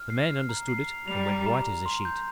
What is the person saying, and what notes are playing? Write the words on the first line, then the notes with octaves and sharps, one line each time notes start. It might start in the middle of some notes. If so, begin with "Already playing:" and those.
The man understood it and went white as a sheet.
Already playing: F6
C7
F6
A#5
C7
F7
G3 F7
A#5
A#5
F7
C6
G6